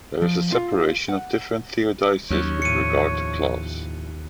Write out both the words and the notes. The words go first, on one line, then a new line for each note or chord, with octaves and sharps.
There is a separation of different theodicies with regard to class.
F3
F4
F#5
D#2 F#3 C#4 C#5
A2 F3 C#7 D#7